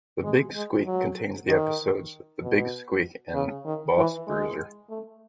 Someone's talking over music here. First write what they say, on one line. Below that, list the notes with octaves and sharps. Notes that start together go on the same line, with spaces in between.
"The Big Squeak" contains the episodes "The Big Squeak" and "Boss Bruiser".
G#3
G#3
F#3
D#3
B2
C#3
D#3
E3
G#3
A3